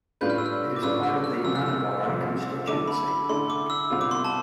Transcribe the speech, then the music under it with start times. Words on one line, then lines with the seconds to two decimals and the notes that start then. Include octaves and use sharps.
It is part of the Anabar Constituency.
0.21 A2 G3 D4 F4 B4 G6
0.30 F6
0.38 E6
0.46 F6
0.76 D6
0.82 A2 G3 D4 F4 B4 E6
1.03 F6
1.24 F6
1.44 C2 C3 F3 E6
1.55 F6
1.66 E6
2.06 C2 C3 F3
2.68 D3 A3 E4 A4 D6
2.87 B5
3.08 B5
3.29 D3 A3 E4 A4 C6
3.50 D6
3.70 E6
3.90 C2 B2 G3 C4 F4
4.01 D6
4.11 C6
4.25 A5